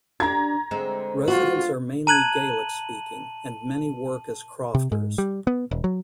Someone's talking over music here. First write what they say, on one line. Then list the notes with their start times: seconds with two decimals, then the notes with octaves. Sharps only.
Residents are mainly Gaelic speaking, and many work as crofters.
0.20 D4 G4 A#5 G#6
0.71 D3 G#3 C4
1.28 F4 F#4
2.07 A5 A#5 F#6 G#6 D#7 F#7
4.75 C3
4.92 G#2
5.18 G3
5.47 B3
5.71 E1
5.84 F#3